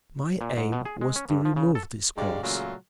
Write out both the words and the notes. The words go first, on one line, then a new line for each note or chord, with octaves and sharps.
My aim was to remove this cause.
A#2
G#2
B2
G#4
G#3
C#4
G2
F3
C#3
A4
G2 G3 G#3 F#4 D5 F5
A#2 C#3 F#3 G#3 A3 F4